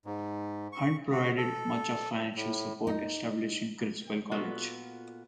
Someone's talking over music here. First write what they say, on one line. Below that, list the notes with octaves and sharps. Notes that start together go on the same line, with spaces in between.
Hunt provided much of the financial support establishing Criswell College.
G#2
C#6
F#4
A4
A2
D#4
A#2 B3 F4 F#4 A4